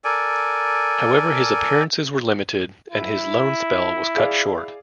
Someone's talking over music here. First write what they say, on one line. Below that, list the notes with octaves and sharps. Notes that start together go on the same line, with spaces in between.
However his appearances were limited and his loan spell was cut short.
A4 A#4 D5 G#5
E4
G#4 D5 F5